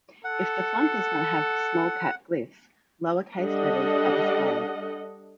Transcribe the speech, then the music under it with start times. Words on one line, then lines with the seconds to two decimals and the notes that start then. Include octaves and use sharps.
If the font does not have small-cap glyphs, lowercase letters are displayed.
0.24 A4 F#5
3.39 G3 D4 A4 D#5 F#5